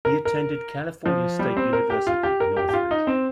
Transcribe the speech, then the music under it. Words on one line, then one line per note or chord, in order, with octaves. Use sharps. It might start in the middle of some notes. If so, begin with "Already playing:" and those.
He attended California State University, Northridge.
A#4
A#4
F3
G3
C4
A#4
G4
F4
G4
A#4
G4
G4
F4
D#4
C4